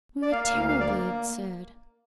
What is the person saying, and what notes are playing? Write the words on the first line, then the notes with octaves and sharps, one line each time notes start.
We were terribly absurd.
D5
A#3 F5
F5
D2
F5
A#3 F5
D5
A#3